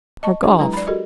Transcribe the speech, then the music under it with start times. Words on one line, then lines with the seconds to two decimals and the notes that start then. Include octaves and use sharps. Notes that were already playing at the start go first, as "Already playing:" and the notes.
Or golf?
0.23 D#5 A5 C#6
0.43 D4 F4 G4 A4
0.59 F#3 G#3 E4 B4 A#5
0.73 D5 B5
0.87 F#4 G4 A4 A#4 D#5